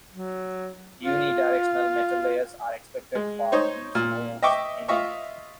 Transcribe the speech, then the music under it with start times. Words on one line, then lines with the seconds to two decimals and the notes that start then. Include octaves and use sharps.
Unidirectional metal layers are expected for these nodes anyway.
0.11 F#3
1.03 F4
3.15 G#3
3.52 D#4 C5 C#5
3.95 A#2
4.42 D#5 E5 G5 C#6 D6
4.88 F4 D#5 E5 C#6